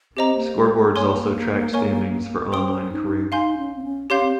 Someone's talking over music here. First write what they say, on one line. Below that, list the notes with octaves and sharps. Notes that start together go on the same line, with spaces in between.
Scoreboards also track standings for online career.
C4 G4 C5 D#5 A#5
A#3
G#3
G#3
A#3 C#5 G#5 C6
A#4 C#5 G#5 C#6
C#4 C5 G5 C6 D#6
D#4
D#4 F5 G#5 C6 G6
C#4
C4
C#4
C#4 G4 C#5 F5 C6 G6
C4